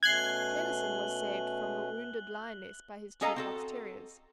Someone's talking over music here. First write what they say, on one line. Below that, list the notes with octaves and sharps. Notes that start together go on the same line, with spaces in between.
Dennison was saved from a wounded lioness by his two fox-terriers.
B2 A3 C#4 F#6 G#6 C7 F#7 G7
C#4 G#4 A4 D#5 F5 A#5
C4 F#4 A4